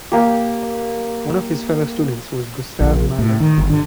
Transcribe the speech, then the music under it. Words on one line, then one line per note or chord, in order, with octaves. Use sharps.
One of his fellow students was Gustav Mahler.
A#3 G4
A#1
A2
D#3
G1
D3